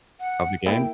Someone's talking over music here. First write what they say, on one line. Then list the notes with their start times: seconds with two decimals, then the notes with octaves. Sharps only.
of the game?
0.20 F#5
0.66 A#3 E4 G5